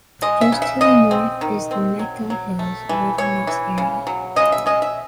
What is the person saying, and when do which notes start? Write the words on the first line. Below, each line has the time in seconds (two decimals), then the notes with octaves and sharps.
Just to the north is the Mecca Hills Wilderness Area.
0.22 G#3 D#5
0.41 E5
0.52 C#3
0.62 E5
0.81 C#3 D#5
1.11 C4
1.41 D#3
1.71 C4
1.99 F#3
2.30 F#3
2.59 A3
2.89 E3
3.18 E3 C#5
3.47 E3
3.78 C#3
4.07 F#3
4.36 C#3 D#5
4.52 E5
4.66 C#4 D#5
4.82 E5